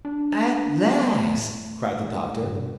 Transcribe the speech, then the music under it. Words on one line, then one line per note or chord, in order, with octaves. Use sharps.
"At last!" cried the Doctor.
D4
B3
A3
A2
G2
B2